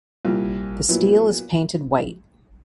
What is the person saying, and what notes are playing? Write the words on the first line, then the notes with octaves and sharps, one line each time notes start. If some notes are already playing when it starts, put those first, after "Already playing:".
The steel is painted white.
C2 A#2 G3
A#2 F#3 B3 E4